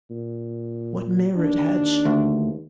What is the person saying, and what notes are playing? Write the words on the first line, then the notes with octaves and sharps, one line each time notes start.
What merit had she?
A#2
D#2 D4
D2